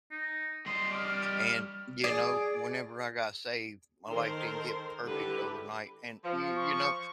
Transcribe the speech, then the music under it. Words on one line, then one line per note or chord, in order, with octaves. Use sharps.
and, you know, whenever I got saved, my life didn't get perfect overnight and, you you know,
D#4
G3 D#5 C6
D4 C#6 D6 F6
G#4 D5
D#3 A4 A#4 C5 C6
D3 G3 D4 E4 G4 B4
F3
C#6